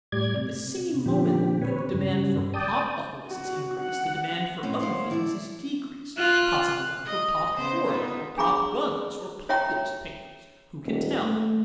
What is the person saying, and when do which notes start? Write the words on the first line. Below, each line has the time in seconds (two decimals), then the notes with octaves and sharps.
At the same moment that the demand for pop-bottles is increased, the demand for other things is decreased, possibly that for pop-corn or pop-guns or Populist papers--who can tell?
0.12 A2 G3 D5 G#6
0.36 C3
1.06 A#2 D3 F3 G4
1.61 C4 B4 C#5
1.94 G2 C#3 G3
2.54 D5 G5 A5 D#6
3.27 F#4
3.80 F#5
4.63 A2 C3 C4 C#4
4.79 F#2 A#3 C5 C#5
5.10 C3 E4 A4 C5 D5
6.17 F4 F#6
7.06 D#5
7.57 C#3 B3 C5
7.88 B3 D#4 F4
8.38 D4 G#4 A#5 B5 D6
9.49 C#5 E5 G5 A#5
10.86 D#1
11.22 A3